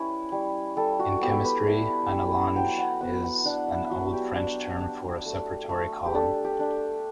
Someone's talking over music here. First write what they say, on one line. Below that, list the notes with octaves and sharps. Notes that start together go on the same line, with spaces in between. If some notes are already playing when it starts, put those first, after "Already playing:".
In chemistry an allonge is an old French term for a separatory column.
Already playing: G3 C#4 E4 B4
G3
G3 A4
F#4
B3 G4
B4
E4
G3
F#3 G5
F#5
B3 F#5
F#5
D4 F#5
E5
F#3 F#4
G4
D4
D4
A3
A3
G4
D4 A4
G4
D4